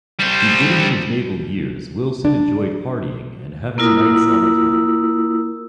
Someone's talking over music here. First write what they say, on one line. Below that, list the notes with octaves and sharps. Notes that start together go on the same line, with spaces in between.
Beginning in his naval years, Wilson enjoyed partying and having nights on the town.
G3 C5
D4
A#3 E4 F4 A#4 D#6 E6